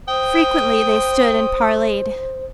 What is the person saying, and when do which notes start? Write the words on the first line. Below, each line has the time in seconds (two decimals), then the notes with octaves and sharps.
Frequently they stood and parleyed.
0.08 C5 G5 D#6